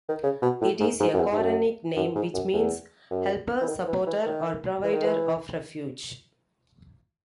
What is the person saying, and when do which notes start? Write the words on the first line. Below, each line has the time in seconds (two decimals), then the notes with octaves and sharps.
It is a Quranic name which means: helper, supporter, or provider of refuge.
0.09 D#3
0.23 C#3
0.42 B2
0.61 A2
0.80 G#2
1.00 G#2
1.14 F#2
1.19 E2
1.32 G#2
1.38 F#2
1.96 F#2
2.15 G#2
2.34 F#2
2.53 E2
3.11 F#2
3.61 E3
3.68 D#3
3.87 E3
4.07 E3
4.26 D#3
4.84 E3
4.93 D#3
5.05 E3